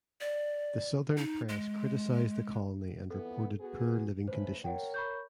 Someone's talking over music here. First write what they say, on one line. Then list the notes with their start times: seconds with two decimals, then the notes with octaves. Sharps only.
The southern press criticized the colony and reported poor living conditions.
0.21 D5
1.18 D#4
1.49 G#3
3.10 F2 E3 B3 A4
3.59 B3 F#4 G#4
4.28 A3 C#4 B4 C5
4.64 A#4 C#5 F#5 G5
4.94 B5 C#6 G6